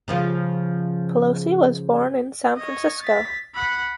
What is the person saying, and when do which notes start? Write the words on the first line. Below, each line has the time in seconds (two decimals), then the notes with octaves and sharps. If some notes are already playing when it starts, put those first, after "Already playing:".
Pelosi was born in San Francisco.
0.08 C#3 F3 F4
2.56 C#5 D#5
3.01 A6 B6
3.55 F#5 B5